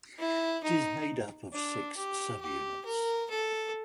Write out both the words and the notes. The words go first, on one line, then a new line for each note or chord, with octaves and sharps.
It is made up of six subunits.
E4
D#4
D4
G4
G4
A#4
A4